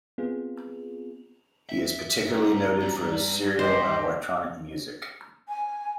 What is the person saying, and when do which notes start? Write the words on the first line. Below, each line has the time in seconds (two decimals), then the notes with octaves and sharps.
He is particularly noted for his serial and electronic music.
0.18 B3 C4 F4 G#4
1.69 E5
2.33 G#3 C#4 A#5
2.80 G2 D5
3.59 G4 C5 D#5
5.48 G#5